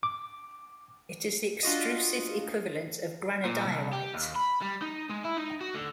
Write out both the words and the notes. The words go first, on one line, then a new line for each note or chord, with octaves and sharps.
It is the extrusive equivalent of granodiorite.
D6
D4 F4 F#4 D#5
A#2
C2
G4
D#2
B5
G3
D#4
G#3
E4
D#4
F#4
D3